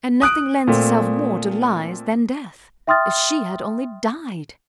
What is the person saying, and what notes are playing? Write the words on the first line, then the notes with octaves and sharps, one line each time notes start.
And nothing lends itself more to lies than death. If she had only died!
D#6 F#6 D7
A#2 A3 C4
E5 G5 C6 D#6 F6 A6